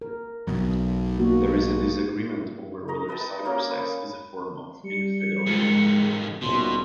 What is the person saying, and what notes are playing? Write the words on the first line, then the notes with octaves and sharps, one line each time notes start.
There is disagreement over whether cybersex is a form of infidelity.
A#4
B1 B2 F#3
A#3 F#4
D#5 A#5 C#6
B4 D#5 G5 A5
A#3 C#4 A#4
B5
G3 C#7
F2 D#3 G#3
D#1 B2 C6